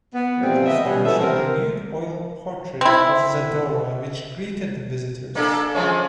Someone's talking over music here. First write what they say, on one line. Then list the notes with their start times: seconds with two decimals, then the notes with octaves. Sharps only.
Riklis commissioned a nude oil portrait of Zadora, which greeted visitors.
0.15 B3
0.42 A#2 E3 F3 G3 C4
0.66 B3 D#5 E5
0.85 B2 G3 C#4
1.04 A#2 E3 B3 C#4 A4 E5
1.21 C3 A#4 C5
2.81 C4 E4
5.35 A#3 D4 A4
5.75 F3 G#3 C#4